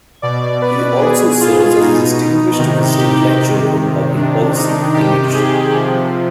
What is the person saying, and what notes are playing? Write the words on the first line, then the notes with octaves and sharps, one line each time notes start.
He also serves as a Distinguished Visiting Lecturer in Public Policy and Leadership.
B2 D5
B4
B2 G#4
F4
B2 D#4
D#4
C3 D#3 D#4
G4
C3 D#3
C3 D#3 D4
D#4
C3 D#3 G4
G#4
C3 F3